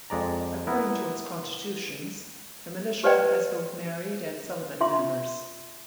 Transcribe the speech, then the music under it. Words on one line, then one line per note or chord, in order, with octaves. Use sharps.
According to its constitutions, the Militia has both married and celibate members.
F2 G#3 D5 A#5
B3 E4 A#4
G4 B4 C5 D5 D#5 G5
F4 E5 C6